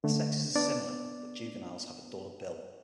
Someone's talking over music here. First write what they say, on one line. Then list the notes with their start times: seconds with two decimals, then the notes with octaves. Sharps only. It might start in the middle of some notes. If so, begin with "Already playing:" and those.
The sexes are similar, but juveniles have a duller bill.
0.04 D3 A3
0.55 B3 D4 D5